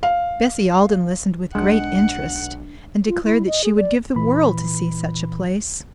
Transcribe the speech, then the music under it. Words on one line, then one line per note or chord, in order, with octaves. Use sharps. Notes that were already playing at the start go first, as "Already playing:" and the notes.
Bessie Alden listened with great interest and declared that she would give the world to see such a place.
F5
B1 G#3 D4 F#5
F4
E4
D#5
G#4
D5
A#2 E3 B5